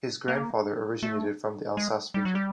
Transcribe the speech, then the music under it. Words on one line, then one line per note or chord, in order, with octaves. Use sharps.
His grandfather originated from the Alsace region.
A#3
A3
G#3
G3
F#3
G3